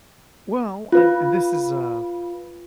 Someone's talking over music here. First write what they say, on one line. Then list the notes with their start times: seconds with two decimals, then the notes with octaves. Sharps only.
Well, I and this is a
0.92 F4 B4